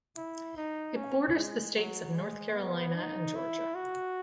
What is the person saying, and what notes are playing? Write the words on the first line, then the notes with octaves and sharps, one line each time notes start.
It borders the states of North Carolina and Georgia.
E4
D#4
C#4
G#3
F#3
G#3
B3
D#4
E4
F#4